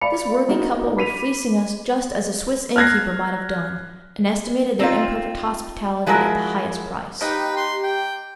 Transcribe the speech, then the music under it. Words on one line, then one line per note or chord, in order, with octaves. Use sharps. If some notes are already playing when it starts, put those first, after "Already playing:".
This worthy couple were fleecing us just as a Swiss innkeeper might have done, and estimated their imperfect hospitality at the highest price.
D5 F5 B5 C#7 F7
F#3 A#3 D#4 E4 F#4 G#4
B5 D6 B6 D#7 F7
F6 F#6 G#6 A#6 C7
C4 D#4 F4
F3 G#3 E4 F#4 A#4
A#3 D#4 G4 B4
C6
G5